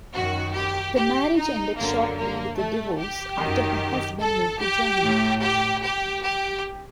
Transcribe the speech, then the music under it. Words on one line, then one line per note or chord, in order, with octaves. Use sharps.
The marriage ended shortly with a divorce after her husband moved to Germany.
F#2 D#3 F#4
G4
G4
D#4
F#2 D3 A#3
A#3
A3
G4
F#2 D#3
A4
G4
A2
G4
G4
G4